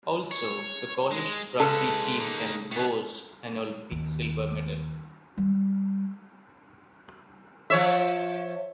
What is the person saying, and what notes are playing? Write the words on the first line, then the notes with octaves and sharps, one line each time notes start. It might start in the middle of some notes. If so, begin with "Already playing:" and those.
Also, the Cornish rugby team can boast an Olympic silver medal.
C#5
G#3
C#3 G#3 A4 B4
A#3 D#4
A2 B3
D#2
G3
F3 C#5 E5